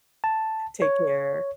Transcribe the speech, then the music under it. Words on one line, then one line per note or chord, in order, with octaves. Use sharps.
Take care.
A5
C#5